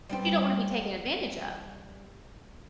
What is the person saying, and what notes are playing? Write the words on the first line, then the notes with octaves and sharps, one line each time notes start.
but you don't wanna be taken advantage of.
G3 B3 C4